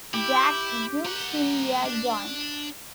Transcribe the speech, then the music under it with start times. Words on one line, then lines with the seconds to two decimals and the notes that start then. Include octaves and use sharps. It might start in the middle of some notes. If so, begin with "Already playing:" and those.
Jack gives him a joint.
0.14 E4 G4
1.05 A#3 F#5
1.86 D4